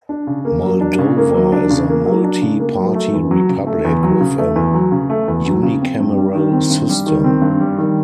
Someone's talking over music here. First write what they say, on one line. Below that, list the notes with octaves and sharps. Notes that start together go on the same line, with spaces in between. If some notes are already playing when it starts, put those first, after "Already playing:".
Moldova is a multi-party republic with a unicameral system.
D4
C#3
A#3
F#3
D4
C#3
A#3
F#3
D4
C#3
A#3
F#3
D4
C#3
A#3
F#3
A3
E2
F#3
C#3
A3
E2
F#3
C#3
A3
E2
F#3
C#3
A3
E2
F#3
C#3
C4
G2
G3
D#3
C4
G2
G3
D#3
C4
G2
G3
D#3